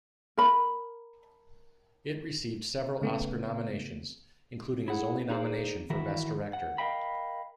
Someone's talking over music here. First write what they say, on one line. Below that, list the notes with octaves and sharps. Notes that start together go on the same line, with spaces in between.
It received several Oscar nominations, including his only nomination for Best Director.
A#4 B5
C#3 A3 B3
E4 G#4 F#5
D#4 E4 G#4 A4 C5 D5
D#3 E3 E4 F#4 A#4
F#5
A#4 D#5 F5 G5 B5